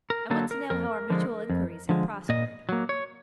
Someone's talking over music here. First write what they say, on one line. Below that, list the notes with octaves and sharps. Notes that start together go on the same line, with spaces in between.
I want to know how our mutual inquiries have prospered.'
A#4
D3 F#3 A#3 A4
A#4
F2 A#4
D3 F3 G#3
F2
D3 F3 G#3
A#2 D#5
F#3 A#3
C#5